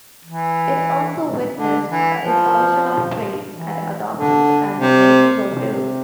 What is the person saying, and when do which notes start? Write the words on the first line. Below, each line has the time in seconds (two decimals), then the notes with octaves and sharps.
It also witnessed the installation of priests, and adoptions, and the making of wills.
0.25 E3
1.54 D3
1.87 E3
2.19 F3
3.50 E3
4.15 D3
4.80 C3
5.46 C3